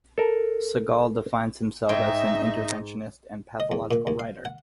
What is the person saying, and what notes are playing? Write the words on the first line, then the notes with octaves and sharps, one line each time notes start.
Segal defines himself as an "interventionist" and "pathological writer".
A4 A#4
G#2 D#4 D#5 E5 G5 C6
D#5
E2
A#2
D#2
F5
F#5